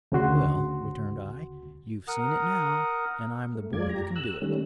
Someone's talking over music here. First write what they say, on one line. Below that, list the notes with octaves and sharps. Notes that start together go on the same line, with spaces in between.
"Well," returned I, "you've seen it now, and I'm the boy that can do it."
D2 C#3 F#4 C6
A#4 F#5 D#6
A3
F#2 G#3 F4 D5 G#6
G4 A#5
E6 F#6
D#3 G3 A3 C#4